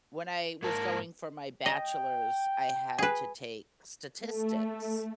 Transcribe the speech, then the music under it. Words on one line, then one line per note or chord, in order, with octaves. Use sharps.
When I was going for my bachelor's, I had to take Statistics.
G#2 A#3 A#4 A5
D#5 G5
G#4 B4
A3